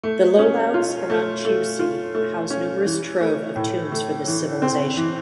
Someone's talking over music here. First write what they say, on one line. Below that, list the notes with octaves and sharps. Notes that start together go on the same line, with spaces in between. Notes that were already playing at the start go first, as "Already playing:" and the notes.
The lowlands around Chiusi house numerous trove of tombs for this civilization.
A3
C#4
F4
A3
A3
F4
A3
C#4
E3
A3
A2
A3
E3
C4
E3